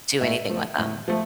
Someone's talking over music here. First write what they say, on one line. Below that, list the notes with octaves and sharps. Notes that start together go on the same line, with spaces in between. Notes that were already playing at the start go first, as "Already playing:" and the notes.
do anything with them.
A2 E5
F3 A3
A2
F3 A3